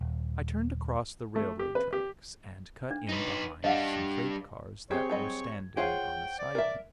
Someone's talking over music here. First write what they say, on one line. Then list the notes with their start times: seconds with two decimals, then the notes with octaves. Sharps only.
I turned across the railroad tracks, and cut in behind some freight-cars that were standing on a siding.
0.01 D#1
1.36 A3
1.59 G4
1.75 B4
1.93 G4
2.91 D4
3.09 D#4 B4
3.64 G3 D4 D#5 F5 F#5
4.91 C4 G4 G#4 C5 C#5 G#6
5.10 F#3 G3 D#5
5.77 F4 G#4 C5 C#5 F#5 G5
6.39 D5
6.55 A#4 E5